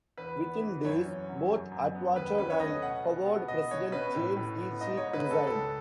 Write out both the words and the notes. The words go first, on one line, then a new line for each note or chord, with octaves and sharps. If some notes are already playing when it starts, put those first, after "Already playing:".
Within days, both Atwater and Howard President James E. Cheek resigned.
E2 B4
B3
E3
F#2 C#5
C#4
F#3
F#2
F#2
B3
D#2 B4
C#4 B4
C#5
A3 D#5
B2 F#5
B2
B3
B2 D#5
B2 C#5
C#4 B4
A2
A2
B3
G#2 D#5
C#5
G#2
B4
A3
A4
C#2 A4